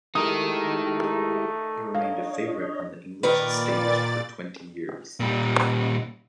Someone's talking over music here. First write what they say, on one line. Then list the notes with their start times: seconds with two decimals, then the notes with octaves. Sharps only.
It remained a favourite on the English stage for twenty years.
0.15 G#3 A3 D#4 E4 G4 A#4 D#6
1.94 D4 C#5 D#5 F5
3.23 A#2 D#3 A#4 B4 D5 A6
5.20 A#2 G3